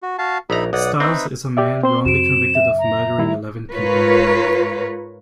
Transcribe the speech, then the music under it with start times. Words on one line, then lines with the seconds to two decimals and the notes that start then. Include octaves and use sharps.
Stiles is a man wrongly convicted of murdering eleven people.
0.03 F#4
0.18 F#4 F5 A5
0.50 A#1 D#4 E5 A#5 B5
0.73 B1 D5 F#5 D#6
1.00 C4 D#4 B4 E5
1.57 G4 D5 E5
1.83 C4 C5 C6
2.05 F#2 C#3 F#4 D7 E7
2.55 E5
2.79 A#5
3.18 D#3 G3 E4
3.72 G#2 F4 A#4 B4 C#5